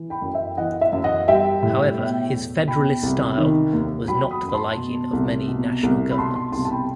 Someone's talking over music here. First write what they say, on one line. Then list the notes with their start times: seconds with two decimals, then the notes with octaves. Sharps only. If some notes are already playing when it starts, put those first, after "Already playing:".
However his federalist style was not to the liking of many national governments.
Already playing: E3
0.10 G5 B5
0.22 F#2
0.34 E5 G5
0.57 E3 D#5 F#5
0.81 E5
0.92 F#2
1.04 D#5 F#5
1.28 G3 E5 G5
1.63 A2
1.98 B2
2.32 E2
2.68 B2 G5 B5
3.03 C2
3.38 D#3
3.73 D#2
4.08 F#3 G5 B5
4.31 B5 D#6
4.43 F#2
4.49 B5
4.54 A5 C6
4.77 B2
5.13 C2
5.48 B2
5.83 C2
6.10 B5
6.18 B2 A5 C6
6.35 A5 C6
6.52 C2 A5 C6
6.65 A5
6.70 G5 B5